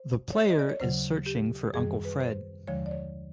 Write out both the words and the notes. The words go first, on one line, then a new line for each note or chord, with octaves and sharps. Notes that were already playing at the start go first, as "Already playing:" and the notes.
The player is searching for Uncle Fred.
Already playing: C5
C#5
D#5
D5
C#5
D#2 C#3 F#3 C5
G4
F#2 D#3 G3 G#4
B4
C5
D#2 D3 F3 G#3 C#5
D5
C#5